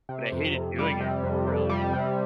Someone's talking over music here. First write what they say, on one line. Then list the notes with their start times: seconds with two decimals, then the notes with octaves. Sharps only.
But I hated doing it really.
0.09 C3
0.32 F2
0.54 F2
0.79 G3
1.01 C3
1.24 F2
1.47 F2
1.69 G3
1.93 C3